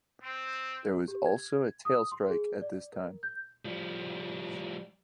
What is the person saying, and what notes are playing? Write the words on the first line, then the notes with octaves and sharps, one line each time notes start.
There was also a tail strike at this time.
C4
G4
G#6
D#6
C6
G#4
D5
A#4
G6
F3 G3